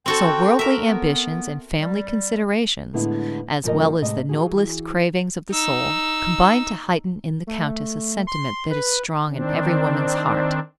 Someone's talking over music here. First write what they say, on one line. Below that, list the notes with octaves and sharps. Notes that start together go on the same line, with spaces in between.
So worldly ambitions and family considerations, as well as the noblest cravings of the soul, combined to heighten in the Countess a sentiment that is strong in every woman's heart.
C4 F#4 A4 G5
A#4 E5
B3
G3
A2 D3 G#3 B3 E4
F#2 C3 F3 A3 A#4 D#5
A2 C3 G#3 D#5
E3 F#4 G#4
D#4 E6
A3
C6
B4
D#3 C4 D4